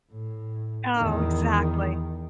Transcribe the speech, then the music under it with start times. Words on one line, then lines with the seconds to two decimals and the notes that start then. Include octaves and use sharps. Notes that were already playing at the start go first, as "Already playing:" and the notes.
Oh, exactly.
0.11 A2
0.97 E2 D#3